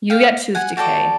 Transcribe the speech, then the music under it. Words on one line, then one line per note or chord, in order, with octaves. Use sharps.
you get tooth decay
F5 G5
F#5 G#5
F#4 A4 D5 G5 A5